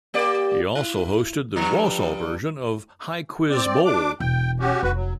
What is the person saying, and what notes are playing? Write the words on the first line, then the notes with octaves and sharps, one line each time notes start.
He also hosted the Wausau version of High Quiz Bowl.
A#3 G4 D5
E4
G2 F3
C4 D5
D4 D6
E1 G5
C#4 F#4 G4
F1 F#4 B4
F#3